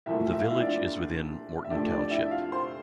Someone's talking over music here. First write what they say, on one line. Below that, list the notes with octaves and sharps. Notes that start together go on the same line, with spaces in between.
The village is within Morton Township.
C2 A#2 F3 A3 E4 E5
E5
F5
E4 E5
D4 D5
E5
F2 C3 F3 A3 D4 D5
D4 D5
D5
E4 E5
F4 F5
C5 C6